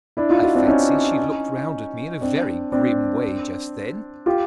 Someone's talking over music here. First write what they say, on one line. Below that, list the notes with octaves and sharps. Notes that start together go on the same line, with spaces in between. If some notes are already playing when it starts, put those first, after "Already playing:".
I fancy she looked round at me in a very grim way just then.
D4 E4
D#4 F4
E4 F#4
C4 D4
C#4 D#4
C4 D4
C4 D4
F4 G4